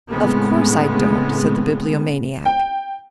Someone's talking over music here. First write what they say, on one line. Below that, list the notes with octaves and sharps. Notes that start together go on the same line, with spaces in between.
"Of course I don't," said the Bibliomaniac.
A2 C#3 G#3 B3 C4
G5